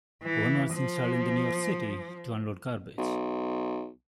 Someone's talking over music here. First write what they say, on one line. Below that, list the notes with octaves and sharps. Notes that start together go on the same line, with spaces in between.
One was installed in New York City to unload garbage.
E3
F3
B1